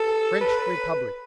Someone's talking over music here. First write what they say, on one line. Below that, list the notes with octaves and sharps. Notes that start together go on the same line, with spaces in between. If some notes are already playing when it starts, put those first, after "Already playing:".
"French Republic."
Already playing: A4
B4